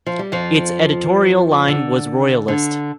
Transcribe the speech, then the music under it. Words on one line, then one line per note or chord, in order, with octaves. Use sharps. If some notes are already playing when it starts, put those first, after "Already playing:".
Its editorial line was royalist.
F3
G3
F2 F3
D3
D3